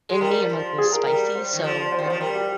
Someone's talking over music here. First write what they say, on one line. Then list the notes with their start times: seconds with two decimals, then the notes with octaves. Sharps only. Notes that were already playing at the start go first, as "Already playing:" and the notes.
in me. I'm a little spicy, so
0.09 G#3
0.21 G3 A#4
0.50 F3
0.78 G#4
0.93 A#4
1.06 G3 A#4
1.35 C5
1.53 D#3
1.64 F3
1.86 D5
1.92 C5
1.99 D#3
2.06 C5
2.10 F3
2.20 G3 A#4
2.35 G4